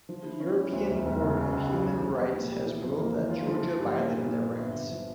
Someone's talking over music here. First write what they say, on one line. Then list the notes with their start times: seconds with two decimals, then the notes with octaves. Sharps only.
The European Court of Human Rights has ruled that Georgia violated their rights.
0.09 F3
0.25 E4
0.40 C#4
0.57 E4
0.73 D2
0.89 E1
1.05 E1
1.21 C#3
1.37 C#3
1.53 C#2
1.69 G3
1.85 G3
2.02 F3
2.18 G4
2.34 A#2
2.50 G4
2.66 E3
2.83 F2
2.99 A#3
3.15 E3
3.30 F4
3.47 F3
3.63 F3
3.79 G2
3.95 A#3
4.11 A#2
4.27 A#2
4.44 A#3
4.60 G1
4.75 G1
4.92 F3